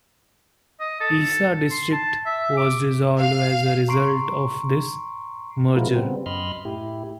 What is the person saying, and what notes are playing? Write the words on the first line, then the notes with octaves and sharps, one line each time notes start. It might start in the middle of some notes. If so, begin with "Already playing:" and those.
Isa District was dissolved as a result of this merger.
D#5
A4
C6
A5
E5
D6
F5
A#5 C6 C#6 C7 D7
F3 G#3 B3 E4 F4 A#4
C#3 G3 B3 C4
F#2 D#5 B5 C6 F6
A2 E4 G4